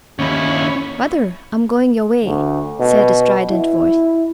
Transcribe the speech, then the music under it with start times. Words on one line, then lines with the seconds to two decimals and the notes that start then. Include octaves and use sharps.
"Mother, I'm going your way," said a strident voice.
0.19 D#2 C#4 E4
2.24 D2
2.80 B2
3.51 E4